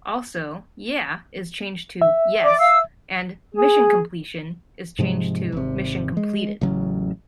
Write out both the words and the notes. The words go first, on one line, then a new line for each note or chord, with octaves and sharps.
Also 'Yeah' is changed to 'Yes' and 'Mission Completion' is changed to 'Mission Completed'.
E5
D5 D6
F5 E6
G#4
G#2 C3 F3 G#3
G#1 C3
G#3
A1 C#3 F#3 C#4